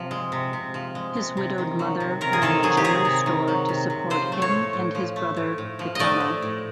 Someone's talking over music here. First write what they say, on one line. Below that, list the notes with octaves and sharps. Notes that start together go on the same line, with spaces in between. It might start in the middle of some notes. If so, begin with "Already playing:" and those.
His widowed mother ran a general store to support him and his brother, Gaetano.
Already playing: C3 F3
G#3
C3
C3
F3
G#3
C3
C3
D#3
F#3
C3
C3 A#4
G#4
D#3 A4
F#3 G#4
G4
C3 G#4
C3
D#3
F#3
C3
C3
F3 C5
A3
C#5
A2
A2
F3
A3
A2
A2
F3
A3 D5 D#5
A2
A2